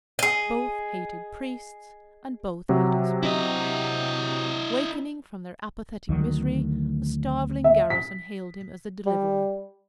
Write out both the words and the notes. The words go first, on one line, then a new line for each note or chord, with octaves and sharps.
Both hated priests, and both hated Spaniards. Wakening from their apathetic misery, the starveling garrison hailed him as a deliverer.
G#4 D#5
C3 F#3
E4 D#5
D2 D#3 F#3
E5
B6
G3